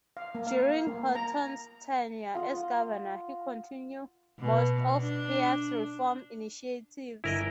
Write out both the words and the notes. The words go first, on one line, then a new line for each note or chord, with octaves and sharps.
During Horton's tenure as governor, he continued most of Peay's reform initiatives.
F5
A#3
F5
A#3
A#5
F4 D#5 F#5
B2
D4
G1 E4 A#4 D#5 F#6